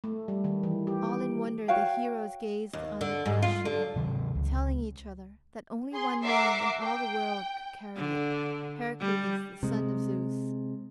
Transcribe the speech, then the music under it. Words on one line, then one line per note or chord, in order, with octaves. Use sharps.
All in wonder the heroes gazed on the great shield, telling each other that only one man in all the world could carry it--Heracles the son of Zeus.
A3
G3
D#3
E3
G4
F#4 C#5 F5 G5
D#2
D3
G#2
F4
D3
C3 D#3 F#3
C#2
G#4 C6
A#4 E5 F#5 D6 C7
G5
D3
G3
C3 G#3